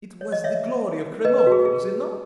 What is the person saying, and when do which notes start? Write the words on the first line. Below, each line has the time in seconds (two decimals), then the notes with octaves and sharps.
It was the glory of Cremona, was it not?
0.21 C#5
0.32 D#5
0.44 C#5 E5
1.25 B4 D#5
1.38 B4
1.47 F#4
1.52 G#4
1.65 G#4